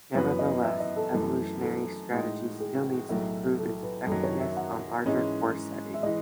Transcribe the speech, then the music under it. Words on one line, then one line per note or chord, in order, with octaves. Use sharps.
Nevertheless, evolutionary strategy still needs to prove its effectiveness on larger core settings.
F#2 E3 B3 F#4 B4 C#5
D#5
E5
D#5
A4
F#2 E3 A3
A4
A2 G#3 D#4
G#4
B1 A2 F#3 A3 E4
A4
B4
F#2 D#3 F#3 A4
C#5
E5
F#5
G#2 E3 G#3 C#4
E5
E3 G#3 D#5